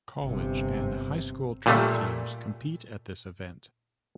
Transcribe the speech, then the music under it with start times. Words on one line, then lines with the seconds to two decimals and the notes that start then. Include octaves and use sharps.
College and high school track teams compete at this event.
0.22 G1 C3
1.66 A#2 G3 A3